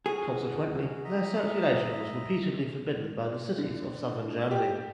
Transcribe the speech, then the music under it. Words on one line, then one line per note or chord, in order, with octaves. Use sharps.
Consequently their circulation was repeatedly forbidden by the cities of Southern Germany.
C#4 F#4 G#4
D#5 E5 A#5
D3
G4